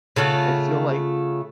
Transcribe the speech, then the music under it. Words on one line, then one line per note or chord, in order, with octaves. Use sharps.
I feel like
C#3 A3 F4 F#5